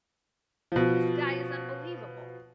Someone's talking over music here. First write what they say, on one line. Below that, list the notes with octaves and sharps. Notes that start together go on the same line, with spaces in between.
This guy is unbelievable.
B2 F3